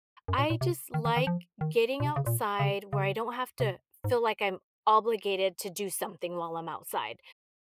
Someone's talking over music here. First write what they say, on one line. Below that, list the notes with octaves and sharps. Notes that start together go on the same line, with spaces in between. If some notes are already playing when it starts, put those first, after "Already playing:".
I just like getting outside where I don't have to feel like I'm obligated to do something while I'm outside,
F#2
A#2
A#2
C3
D#3
D#3
D#3
F3
D#3
A#2
C3
C#3
A#2
C#3
C#3
C3
G#2